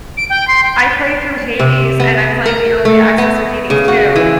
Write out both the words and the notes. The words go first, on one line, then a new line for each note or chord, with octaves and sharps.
I played through Hades and I'm playing the early access of Hades II-
D7
G5
C6
G5
C3
B3
A#4
A3
B3
C#3
F#4
E3